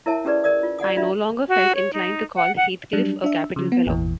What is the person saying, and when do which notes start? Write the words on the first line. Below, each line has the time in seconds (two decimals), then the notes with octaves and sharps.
I no longer felt inclined to call Heathcliff a capital fellow.
0.06 E4 A#4 C#5 E5 A5
0.25 C#4 G4 G#4 B4 D5
0.44 A#4 D5 D#6
0.63 F4
0.79 D5 F#5 G#5 D#6
0.97 D4 F4 E5
1.48 F#4
1.75 C#5
1.93 D#4
2.36 F#5
2.57 F#5
2.93 F#3 G3 D4
3.24 D4 E5
3.56 C#3 F3
3.72 B3
3.86 G#1 E2 A#2 E3